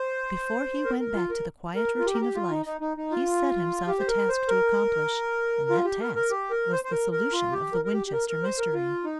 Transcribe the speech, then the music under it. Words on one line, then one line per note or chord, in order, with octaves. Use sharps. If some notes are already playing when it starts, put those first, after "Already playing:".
Before he went back to the quiet routine of life, he set himself a task to accomplish, and that task was the solution of the Winchester mystery.
Already playing: C5
A#4
A#4
F4
A#4
A#4
F4
G4
A#4
G4
F4
D#4
D#4
D#4
D#4
F4
G4
C5
A#4
C5
A#4
F4
G4
A#4
A#4
G4
A#4
C5
C5
A#4
A#4
F4
G4
A#4
A#4
G4
G4
A#4
A#4
C5
A#4
F4
D#4